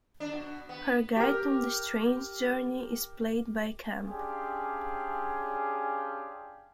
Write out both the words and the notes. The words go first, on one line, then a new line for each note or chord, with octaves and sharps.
Her guide on this strange journey is played by Kemp.
D4
B2
B3
G4 A#4
C#4 D4 F4 G4 G#4